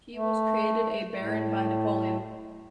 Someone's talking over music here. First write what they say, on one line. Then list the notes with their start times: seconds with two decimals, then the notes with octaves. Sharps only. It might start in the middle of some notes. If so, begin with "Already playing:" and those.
He was created a baron by Napoleon.
0.15 A3
1.19 A2